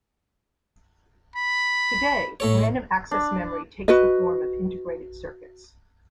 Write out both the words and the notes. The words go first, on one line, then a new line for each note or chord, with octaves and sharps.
Today, random-access memory takes the form of integrated circuits.
B5
A2 A4 C#5
D4
F#4 B4 D#5